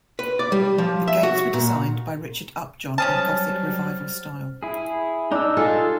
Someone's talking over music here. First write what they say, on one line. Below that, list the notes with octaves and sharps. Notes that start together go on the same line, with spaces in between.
The gates were designed by Richard Upjohn in Gothic Revival style.
B4
D5
G3
F3
E5
F#4
A#2
F#3 G3 C#4 G#4 C5 A5 F6 A6
E4 G#4
D4 D#4 E6
F4 G#4 A4